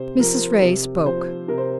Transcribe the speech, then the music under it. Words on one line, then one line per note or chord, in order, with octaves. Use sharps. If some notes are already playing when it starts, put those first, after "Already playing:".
Mrs. Ray spoke.
Already playing: C3 C5
F3 A#4
C3
F3 C5
C3 A#4
C5